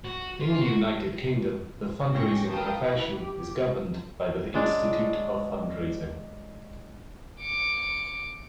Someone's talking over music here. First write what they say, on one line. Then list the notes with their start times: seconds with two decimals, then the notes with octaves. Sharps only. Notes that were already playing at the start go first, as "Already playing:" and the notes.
In the United Kingdom the fundraising profession is governed by The Institute of Fundraising.
0.05 F#4
0.40 F4
0.61 F#4
2.11 C#2 A2 C#4 G5 C#6 A#6
2.50 A#4 B4 F5 G5 A5 D#6
2.80 E4 B4
3.15 G4
4.54 F#3 G#3 D4 D5
7.42 D6 C#7